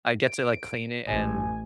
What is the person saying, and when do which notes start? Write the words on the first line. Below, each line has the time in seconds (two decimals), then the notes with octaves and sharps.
I get to, like, clean it and,
0.22 D7
1.07 A1 G#5